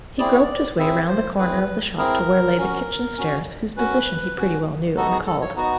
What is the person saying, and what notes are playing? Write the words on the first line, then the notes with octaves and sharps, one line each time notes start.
He groped his way round the corner of the shop to where lay the kitchen stairs, whose position he pretty well knew, and called.
C4 E4 G#4 D5
C#5
D5
C4 E4 G#4 E5
C5
C4 E4 G#4 B4
C4 E4 G#4 A#4
C#4 F#4
C#4 F#4
C#4 F#4 B4
C#4 F#4
B3 D#4 F#4 A4
G#4
A4
C#5
B3 D#4 F#4